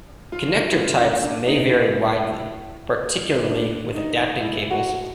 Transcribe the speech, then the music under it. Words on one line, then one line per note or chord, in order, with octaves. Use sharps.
Connector types may vary widely, particularly with adapting cables.
F4
E4
F4
C#4
D4
D#4
E4
D4
D#4
E4
F#4